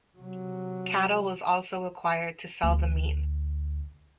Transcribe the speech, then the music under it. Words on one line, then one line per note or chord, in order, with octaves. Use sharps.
Cattle was also acquired to sell the meat.
C3 F#3
D2